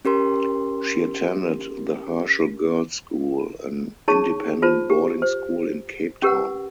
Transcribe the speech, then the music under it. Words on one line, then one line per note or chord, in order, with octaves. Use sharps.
She attended the Herschel Girls School, an independent boarding school in Cape Town.
C#4 G4 A#4 C6
D#4 G#4 C#5 D5 A5 C#6
F4 C5 A5
G4
C5
C#4 G4 A#4 B4 F#5